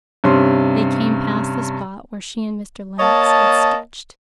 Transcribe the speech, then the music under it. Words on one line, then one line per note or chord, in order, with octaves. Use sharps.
They came past the spot where she and Mr. Lennox had sketched.
G2 C3 C#4 C6
A#3 C#5 D#5 A5